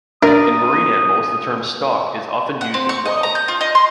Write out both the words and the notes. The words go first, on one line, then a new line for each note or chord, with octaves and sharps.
In marine animals the term "stock" is often used as well.
D4 A#4 D5 D#6
F#5
C4
C#6
D#5
A#5
G6
F4
D#5
C6